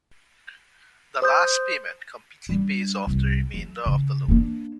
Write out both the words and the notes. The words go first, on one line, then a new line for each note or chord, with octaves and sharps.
The last payment completely pays off the remainder of the loan.
C5 D#6 G6
G3 D4
C2
F#3
C#3
A#3 D4